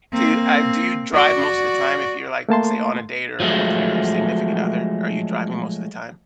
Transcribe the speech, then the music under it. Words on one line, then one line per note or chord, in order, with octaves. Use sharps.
Do, uh Do you drive most of the time if you're, like, say, on a date or with your significant other? Are you driving most of the time?
A#3 C4
F#4 D5
A3 A#3 A5 C6
F3 F#3 G#3 A3